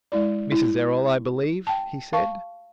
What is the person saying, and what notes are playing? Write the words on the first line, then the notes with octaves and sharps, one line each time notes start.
"Mrs. Errol, I believe?" he said.
G#3 E4 D5
E4
G5 A5
F5 A5 C#6